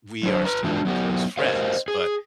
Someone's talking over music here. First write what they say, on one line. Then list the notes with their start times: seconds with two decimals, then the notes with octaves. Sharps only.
we are still close friends, but
0.23 F#3 D4 C5
0.45 B4 A#5
0.64 E3 G#3 D4 F4 F#4
0.85 F#3 B3 G4
1.38 G4 A#4 C5 D#5 F5
1.88 G#4